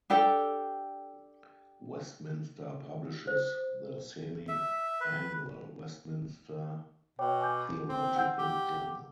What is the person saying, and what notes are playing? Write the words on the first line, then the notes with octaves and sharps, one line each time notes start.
Westminster publishes the semi-annual "Westminster Theological Journal".
D4 G4 A4 G5
C5
E5
B4
B2 C#5 G5 D6
G#5 D6 G6
C4
F#5 E6 G6
G4